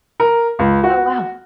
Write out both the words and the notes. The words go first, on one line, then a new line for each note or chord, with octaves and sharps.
Oh, wow.
A#4
C#2
F#4